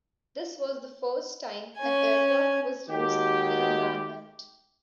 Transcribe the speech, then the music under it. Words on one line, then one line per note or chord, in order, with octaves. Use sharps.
This was the first time an aircraft was used in a manhunt.
C#4 G#5
D#2 D#3 G#3 F#4 G4